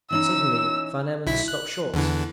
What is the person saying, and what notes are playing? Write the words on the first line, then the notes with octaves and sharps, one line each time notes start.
Suddenly Van Emmon stopped short.
E3 C#4 D#4 E6
B1 E4 B6
F#6
E2 D3 E3